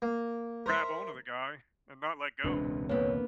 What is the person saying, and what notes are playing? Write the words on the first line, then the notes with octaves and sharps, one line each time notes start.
grab on to the guy and not let go.
A#3
A#4 C5 E5
E1 C#2 A#2 C4 D4 B4
A#3 B3 C#5